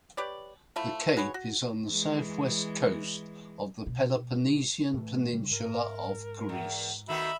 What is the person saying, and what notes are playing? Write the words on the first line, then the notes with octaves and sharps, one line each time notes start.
The cape is on the south-west coast of the Peloponnesian peninsula of Greece.
G4 B4 C#5 D5
F3 A3 E4
F#4 G#4 B4 C#5
F#4
E3 G#3
B2
A2 E3 A3
C#3 G3
G#2 A#4
E2
D#3 A3 B3 F#4 E5 B5